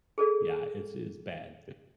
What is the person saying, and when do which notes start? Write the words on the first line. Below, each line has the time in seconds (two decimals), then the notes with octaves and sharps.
Yeah, it's it's bad.
0.18 G#4 A4 D5